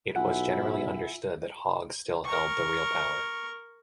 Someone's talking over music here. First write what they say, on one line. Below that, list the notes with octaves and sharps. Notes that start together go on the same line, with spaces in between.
It was generally understood that Hague still held the real power.
B1 E4 F4 F#5 G#5
A#4 C#6